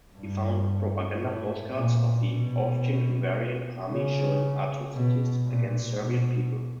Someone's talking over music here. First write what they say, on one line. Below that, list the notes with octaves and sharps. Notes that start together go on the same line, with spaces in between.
He found propaganda postcards of the Austrian-Hungarian Army showing atrocities against Serbian people.
G2
A2
A#2
B2
C#3
B2
A#2
B2